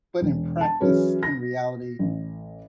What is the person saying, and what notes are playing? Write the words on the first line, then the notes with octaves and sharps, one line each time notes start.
but in practice, in reality,
E1
A5
E3 F#3 C#4 G#4 B4
A#6
A1